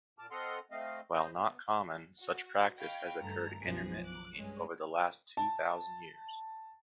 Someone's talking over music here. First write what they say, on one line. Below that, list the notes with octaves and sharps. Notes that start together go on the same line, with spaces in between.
While not common, such practice has occurred intermittently over the last two thousand years.
A#2 A5 D6 F6
C4 A4 D#5 F#5 C6 F6
A3 C4 D#5 F5
B3 C5 D#5
B3
F#4
D#5 F5 G5 B5 C#6
G2 D#3 A3 A4 A#5
B1 F#2 F3 B3 G#4
D6 F#6
G2 G#3 C#4
A5